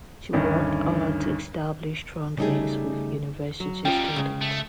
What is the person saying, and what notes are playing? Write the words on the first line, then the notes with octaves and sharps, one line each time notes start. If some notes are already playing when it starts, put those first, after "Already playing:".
She worked hard to establish strong links with university students.
D2 G2 D#3 C#4
C#3 G3 A3 D#4 G4 G#4
F#3
G3 C#4 D#4 F4 G5
C#3 G#3
A3